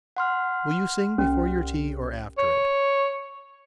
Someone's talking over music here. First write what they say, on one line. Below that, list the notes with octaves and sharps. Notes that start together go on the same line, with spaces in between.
"Will you sing before your tea, or after it?"
F#5 C6 F6
C2 C#4
C#5